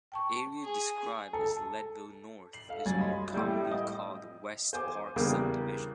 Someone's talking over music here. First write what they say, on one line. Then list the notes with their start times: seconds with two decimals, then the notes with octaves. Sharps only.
The area described as Leadville North is more commonly called the West Park subdivision.
0.12 G5 A5 C#6
0.63 G#4
1.33 A4
2.53 C7 F#7
2.69 A4 F5
2.86 F#2 F#3 G3 G#5 G#6 A6
2.99 D#5 B5 C6
3.32 A2 G3 E4
3.71 D#5
4.73 C5 G#5 D6
5.16 E2 C#3 G3 A#3 D4